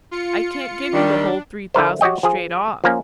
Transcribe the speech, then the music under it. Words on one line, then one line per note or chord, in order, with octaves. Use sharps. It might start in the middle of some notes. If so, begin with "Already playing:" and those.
I can't give you the whole three thousand straight off.
F4 C#7
D#3 G3 D4
D3 E4 A#4 C5
F#4 G4 C#5 D#5 G5
F3 G#4
F3 A#3 C#4